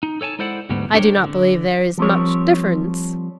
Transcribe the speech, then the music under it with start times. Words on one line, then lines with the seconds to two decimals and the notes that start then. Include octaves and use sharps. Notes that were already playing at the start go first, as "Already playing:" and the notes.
"I do not believe there is much difference."
0.03 D#4
0.21 A4 C#5 G#5 A5
0.39 G#3 E4 A4 C5 D5 F#5
0.69 D2 G#2 F#3 G3 B3
0.94 D4 G4 A#4 C5 C#5
1.17 D3
1.98 F3 G3 C4 A#4 C#5